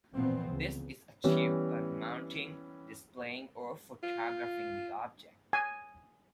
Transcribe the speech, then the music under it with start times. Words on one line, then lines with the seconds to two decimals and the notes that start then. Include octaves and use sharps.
This is achieved by mounting, displaying or photographing the object.
0.15 A#2 E3 F3 B3 C4
0.49 C#2
1.24 E3 G3 B3 C#4
4.03 F4
5.53 G#5